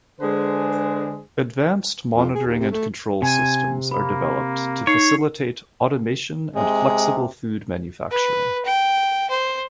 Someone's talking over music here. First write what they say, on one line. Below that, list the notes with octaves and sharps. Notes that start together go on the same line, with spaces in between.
Advanced monitoring and control systems are developed to facilitate automation and flexible food manufacturing.
D3 G#3 D4 G#4 B4 C5
F2
G#4
D#2
C3
A3
C3 G#5
A#3 B5
D#4 C#5 C7 C#7
C3 G#3
B4
G5
C5